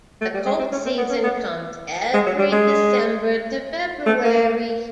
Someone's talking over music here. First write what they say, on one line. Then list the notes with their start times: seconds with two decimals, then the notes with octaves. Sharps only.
The cold season comes every December to February.
0.21 A3
0.34 G3
0.46 G#3
0.59 C4
0.72 C#4
0.86 C4
0.98 B3
1.10 C#4
1.23 B3
2.14 G#3
2.26 F#3
2.39 G3
2.52 G#3
4.06 A3
4.24 A#3